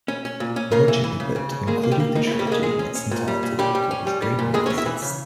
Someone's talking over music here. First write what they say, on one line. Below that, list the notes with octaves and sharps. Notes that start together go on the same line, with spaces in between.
Roger Ebert included the trilogy in its entirety to his "Great Movies" list.
C#4
C#4
A#2
C#4
C#3 A#3 A#4
E3
E3
C#3
C#3
C#3
G#3 A#3 G#4
A#3
G3 G4
A#3
A#3 D#4
E4
C#3
G3 G4
G#3 A#3 G#4
A#2 G#3 G#4
C#4
C#4
A#2
G3
A#2
G3 C#4 G4
G3
C#4
G3
G3
A#2
E2 G#3 G#4
C#4 C#5
E2
E4 E5
E3
C#3